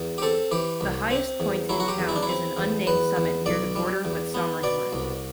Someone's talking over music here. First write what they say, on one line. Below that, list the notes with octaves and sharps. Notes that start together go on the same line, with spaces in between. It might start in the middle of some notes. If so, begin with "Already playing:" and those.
The highest point in town is an unnamed summit near the border with Somersworth.
Already playing: E2
G4
C4 A4
E3 G4
C2
C4
E2
F#3 E4
F#4
G4
E2
E4
D4
E4
C4
E2
E2 B4
E2
B1 D5
G3
E2
B3
B2 D5
C2